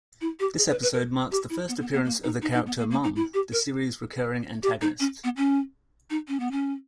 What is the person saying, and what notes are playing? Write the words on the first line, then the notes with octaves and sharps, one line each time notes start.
This episode marks the first appearance of the character Mom, the series' recurring antagonist.
E4
G4
G#4
B4
B4
A#4
G4
E4
B3
B3
B3
A#3
D#4
D#4
D#4
B3
A#3
A#3
D#4
E4
G4
A#4
G4
D#4
C#4
B3
C#4
D#4
C#4
B3
C#4